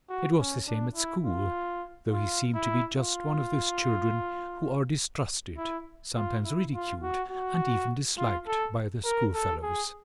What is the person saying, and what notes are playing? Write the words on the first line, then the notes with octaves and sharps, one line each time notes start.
It was the same at school, though he seemed to be just one of those children who are distrusted, sometimes ridiculed, and even disliked by their schoolfellows.
F#4
C#4
D4
E4
F4
F4
E4
F4
E4
F4
E4
F4
F#4
F#4
F4
A4
A#4
A4
G#4